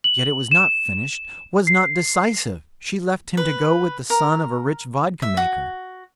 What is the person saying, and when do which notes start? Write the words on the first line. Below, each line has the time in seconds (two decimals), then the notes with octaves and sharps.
Yet it was not finished, was not decisive. She left him to go with the son of a rich vodka-maker.
0.04 F#7
0.51 E7
1.67 C7
3.37 B4
4.10 A#4
5.22 E5
5.37 F#4